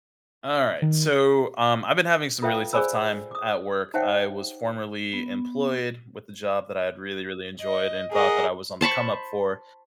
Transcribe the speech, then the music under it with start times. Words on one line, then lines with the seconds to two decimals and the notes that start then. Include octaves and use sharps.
Alright. So, um, I've been having some really tough time at work. I was formerly employed with the job that I had really, really enjoyed, and thought that I was on the come-up for
0.82 D#3
2.42 F4 A4 B4 E5 F5 G5
2.73 G#4 C5 D5 G#5 B5 E6
3.31 D6 D#6
3.94 D#4 C5 C#5 E5 F#5 G5
5.13 B3
7.60 D#5
8.11 G#4 A#4 D#5 F#5
8.81 C5 A5 B5 C#6